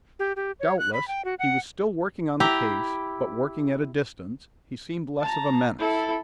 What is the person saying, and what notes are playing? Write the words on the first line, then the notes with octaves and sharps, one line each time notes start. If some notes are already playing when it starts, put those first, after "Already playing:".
Doubtless he was still working on the case; but, working at a distance, he seemed less of a menace.
G4
G4
C#5
F#6
B5
G5
F#4
F#5
E4 G4 G5 A#5
A5 A#5
E4 A4